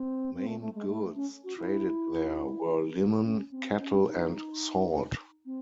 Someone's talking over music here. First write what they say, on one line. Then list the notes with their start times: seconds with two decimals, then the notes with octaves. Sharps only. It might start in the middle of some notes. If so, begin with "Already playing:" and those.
Main goods traded there were linen, cattle and salt.
Already playing: C4
0.36 C4
0.47 A3
0.61 A3
0.75 G#3
0.89 A3
1.16 C#4
1.44 F#4
1.58 E4
3.25 C#4
3.51 C4
3.79 C#4
4.08 D#4
5.46 C4